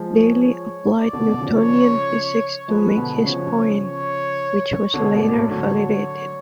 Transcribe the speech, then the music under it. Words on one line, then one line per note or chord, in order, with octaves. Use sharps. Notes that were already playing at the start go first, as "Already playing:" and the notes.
Daly applied Newtonian physics to make his point, which was later validated.
Already playing: F3 G#3
C#5
C#5
D5
B2 D3
B2 D3
C#3 F3
C#5
F3 G#3 B4
B2 D3
C#3 F3 C#5
C#5
B2 D3 C#5
G#2 B2
D5
A2
D3 F#3 C#5